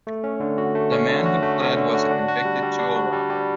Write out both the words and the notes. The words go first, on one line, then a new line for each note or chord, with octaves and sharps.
The man who fled was a convicted jewel-robber.
A3
C#4
D3
F#4
A3
C#4
D3
F#4
A3
C#4
D3
F#4
D4
F#4
G3
G3
D4
F#4
G3
G3